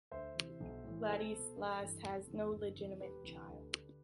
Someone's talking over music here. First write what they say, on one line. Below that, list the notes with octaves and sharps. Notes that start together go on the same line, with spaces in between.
Vladislas has no legitimate child.
D2 C5 E5
C3 E3
B1
A2 E3
C2 A4 C5
B2
A1
G2 E3
F1
E2 C3 E3
G1
F2 C3 E3
E1 G4 B4
D2 C3 E3
D2
D3